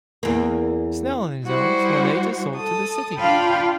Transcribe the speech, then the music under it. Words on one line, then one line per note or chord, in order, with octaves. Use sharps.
Snail and his owns were later sold to the city.
E2 A#3
G3 E4 F#4 C5
A4 A5 D#6
D4 F4 F5 G5 A5 B5